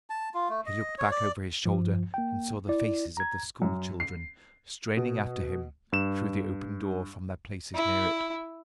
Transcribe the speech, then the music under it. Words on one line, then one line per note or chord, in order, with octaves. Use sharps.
He looked back over his shoulder and saw the faces of the school-children straining after him through the open door from their places near it.
A5
F4
A3
D#5
C#5
D5
G2 F3
A#3 G5
E4 D5
A#5 G#6
F#2
C7
B2
G2 E7
E4